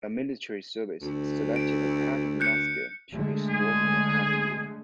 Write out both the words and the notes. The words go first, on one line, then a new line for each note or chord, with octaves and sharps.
A military service selected a "pattern musket" to be stored in a "pattern room".
D2
D7
F#6 G6 C#7
D3 G#3 A3
G#4